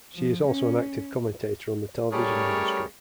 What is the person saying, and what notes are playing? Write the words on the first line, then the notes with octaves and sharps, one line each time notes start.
She is also an active commentator on the television industry.
F3
C#4
G3 A3 C#4 G#4 A#4 C#5